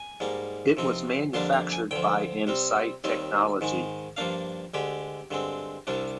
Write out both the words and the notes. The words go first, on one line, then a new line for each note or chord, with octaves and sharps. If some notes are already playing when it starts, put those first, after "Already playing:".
It was manufactured by Insight Technology.
Already playing: G#5
G#2 G3 A#3 D#4
C3 F3 C4 D#4
F2 D3 G3 A#3 D4 C6
A#5
G#5
D2 D3 F3 G5
C3 G3 C4
D#2 D#3 G3 C4 D#4
G#2 D#3 G#3 D#4
G2 F3 A#3 D4 F5
D2 D3 G#3 G4
G2 D3 G#3 C4
C2 C3 G3 D4